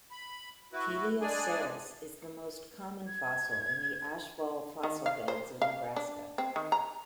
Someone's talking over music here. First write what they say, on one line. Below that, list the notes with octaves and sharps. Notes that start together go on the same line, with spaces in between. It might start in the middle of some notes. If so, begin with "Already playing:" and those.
"Teleoceras" is the most common fossil in the Ashfall Fossil Beds of Nebraska.
B5
E4 F#4 B4
G#3 D4 G#4 D5 G#5
G#6
D#3
F5
C5
F5
D4
C4
D#3
A#5